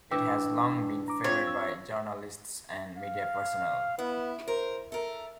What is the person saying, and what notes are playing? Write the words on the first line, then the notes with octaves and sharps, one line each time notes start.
It has long been favoured by journalists and media personnel.
E3 D4 E4 G5 C#6 D6 E6
A#5 D6
C4 F4 C#5
E6
F5
B3 E4
A#4 C5
A4 A#4 E5